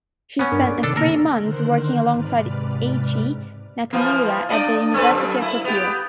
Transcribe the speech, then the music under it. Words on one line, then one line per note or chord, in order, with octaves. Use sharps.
She spent three months working alongside Eiichi Nakamura at the University of Tokyo.
B3 C#4
G2 D4 A#4
D5
C3 D#3 D4 A4
B2 D3 A#3 A4 A#4
D3 D#3 A#4 C5 C6 F#6
G#2 C3 B4 D5 F6
E3 F3 A#3
D4 D5 D#5
C4 A4 B4
F#2
A#3 E4
B3 G4